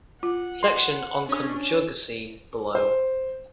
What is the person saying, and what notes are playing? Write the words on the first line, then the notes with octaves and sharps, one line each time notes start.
Section on conjugacy below.
F4 F#5
C6
C#4 D4
C5